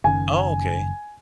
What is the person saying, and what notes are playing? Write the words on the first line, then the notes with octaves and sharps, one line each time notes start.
Oh, okay.
F#1 D#3 C#4 G#5